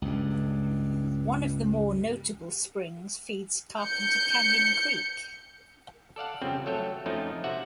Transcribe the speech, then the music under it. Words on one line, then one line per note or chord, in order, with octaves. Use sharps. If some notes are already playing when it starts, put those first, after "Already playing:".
One of the more notable springs feeds Carpenter Canyon Creek.
C#2 G2
G6 C#7
A4 D5 F5 F#5
F2 C#3 G3 C4 C#4
F#3 A3 A4 C#5 G5
F2 F3 A3 C#4 D#4
C3 F#4 E5 F#5